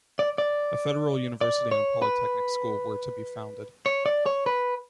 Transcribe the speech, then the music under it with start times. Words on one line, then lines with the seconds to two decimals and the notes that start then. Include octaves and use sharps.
A Federal university and a polytechnic school were to be founded.
0.19 D5
0.38 D5
1.41 D5
1.72 C#5
2.02 B4
3.86 C#5
4.06 D5
4.26 C#5
4.46 B4